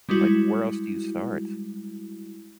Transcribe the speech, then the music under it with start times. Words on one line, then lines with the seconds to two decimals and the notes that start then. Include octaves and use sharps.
like, where else do you start?
0.09 G3 G#3 E4 F#4